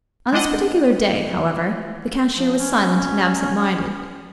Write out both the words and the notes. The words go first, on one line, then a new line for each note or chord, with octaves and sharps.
On this particular day, however, the cashier was silent and absent-minded.
G#3 C4 D4 D#5 F#5
F3
C#4